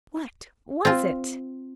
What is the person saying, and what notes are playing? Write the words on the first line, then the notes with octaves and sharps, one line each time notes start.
What was it?
C4 F4